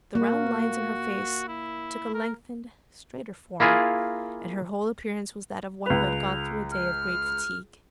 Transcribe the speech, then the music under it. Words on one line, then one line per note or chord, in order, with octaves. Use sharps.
The round lines in her face took a lengthened, straighter form, and her whole appearance was that of one who had gone through a day of great fatigue.
A#3 F#4
E4
A#4
A#3 E4 F4 G#4
C#2 B4 F7
F6